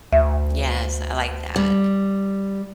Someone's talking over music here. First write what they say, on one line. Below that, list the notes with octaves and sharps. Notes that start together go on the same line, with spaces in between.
Yes, I like that.
D2 E5
G3